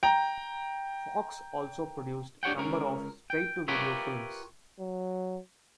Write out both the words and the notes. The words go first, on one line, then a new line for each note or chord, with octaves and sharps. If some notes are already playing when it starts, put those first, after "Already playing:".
Fox also produced number of straight-to-video films.
G5 A#5
D4 G4 C#5 F#5 G5
C#2 C#4 A#4
G5
F4 G4 A#4 B4 C#5 E5
F#3